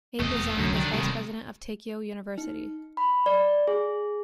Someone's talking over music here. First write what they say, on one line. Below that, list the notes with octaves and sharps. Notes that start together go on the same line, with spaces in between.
Abe resigned as vice-president of Teikyo University.
E1 F2 A3 B3 D#5
C2 F#2 D3 F#3
D#3 D4
A2 C3 D#3 G3
D#4
B5
D5
G#4